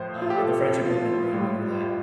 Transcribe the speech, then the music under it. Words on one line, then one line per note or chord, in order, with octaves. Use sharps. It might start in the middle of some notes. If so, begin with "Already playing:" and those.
uh, the friendship would have been ruined over that.
Already playing: A2 F3 C5
F4
G4
A4
F4
A2 G3